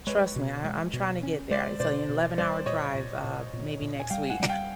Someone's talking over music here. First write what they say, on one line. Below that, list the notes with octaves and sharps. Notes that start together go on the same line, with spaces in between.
trust me, I I'm trying to get there. It's on eleven hour drive, uh, maybe next week
G#3 B4 C#5
B2
G#3
B2
C#4
G#3 C5 D5
B2 C5 D5
B2
G3 C5 D5
A#2 C#5 D#5
A#2
A#2
A#2
A#2
G#5
G3 F5 G5
F#5 G#5
G3
F5 G5